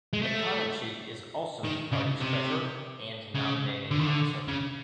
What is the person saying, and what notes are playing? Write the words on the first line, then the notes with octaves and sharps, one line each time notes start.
McConnachie is also the party's treasurer and nominating officer.
G#3
A3
D#3
C#3
C3
C#3
D3
D#3
D3
C#3